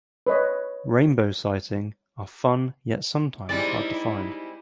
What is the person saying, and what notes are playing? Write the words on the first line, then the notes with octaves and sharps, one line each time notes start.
Rainbow sighting are fun yet sometimes hard to find.
B4 C#5 D#5
G3 G#3 C4 D#4 E4 D5